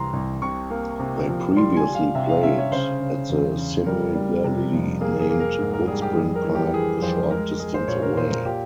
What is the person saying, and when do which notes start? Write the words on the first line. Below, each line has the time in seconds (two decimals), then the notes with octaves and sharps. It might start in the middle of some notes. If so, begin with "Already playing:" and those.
They previously played at the similarly named Woodspring Park a short distance away.
Already playing: C2 C3 E3 A#5 C6
0.13 C2
0.42 C3 C#6
0.70 A#3
1.00 C3
1.28 F3
1.57 G3 C6
1.76 G#5
1.86 G3
1.95 F5
2.15 C3 E5
2.29 F5
2.43 C#4 E5
2.58 C#5
2.71 C#3 C5
3.00 C#3
3.30 E2
3.58 C#3
3.86 G3 A#4
4.15 G3
4.44 C3
4.73 F2
5.01 A#3 G#4
5.20 G#4
5.30 A#3
5.40 A#4
5.58 G#2
5.73 A#4
5.87 G3 G#4
6.02 G4
6.16 F2 G#4
6.35 A#4
6.44 E3
6.55 G4
6.73 E3 G#4
7.02 F2 C5
7.31 G#3 A#4
7.59 G#3 G#4
7.74 C5
7.88 A#2 C#5
8.02 A#4
8.16 A#2 C5
8.31 A#4
8.45 A#2 G4